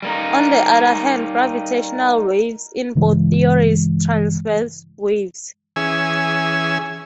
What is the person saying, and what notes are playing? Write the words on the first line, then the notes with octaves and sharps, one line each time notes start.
On the other hand, gravitational waves in both theories are "transverse" waves.
G3 A#3 D#4
G2 C#3 E3 G#3
E3 C#4 G#4 G#5 E6